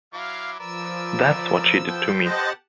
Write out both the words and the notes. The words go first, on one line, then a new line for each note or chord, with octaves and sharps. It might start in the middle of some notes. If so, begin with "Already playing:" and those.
That's what she did to me.
F#3 E4 F5 D6
F3 A#4 B4 D5 E6
B3 A4 G5
G4 C5 D#5 F#5 A5